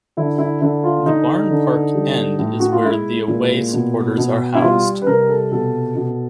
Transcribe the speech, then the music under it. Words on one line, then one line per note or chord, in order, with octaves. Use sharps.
The Barn Park End is where the away supporters are housed.
D3 E4
E4
D3 E4
F4
D3 D#4
D3
G3
A2
F#4
F4
G#3 E4
A#2
B2
B2
E4
G3 F4
B4
C3 A#4
A4
B2 A4
B2